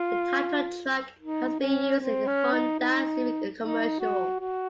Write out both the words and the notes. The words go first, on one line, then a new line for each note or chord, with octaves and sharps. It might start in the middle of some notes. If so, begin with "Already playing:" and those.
The title track has been used in a Honda Civic commercial.
Already playing: F4
D#4
C#4
C4
C#4
D#4
D#4
D#4
F#4
F#4